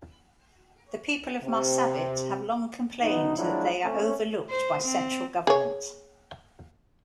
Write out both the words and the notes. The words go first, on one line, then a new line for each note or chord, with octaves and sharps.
The people of Marsabit have long complained that they are overlooked by central government.
C3
F#2 B2 B3 D#4
F3 F#3 G#3 D4 E4
A3 C4 C#4
C5
C4
G#4 C#5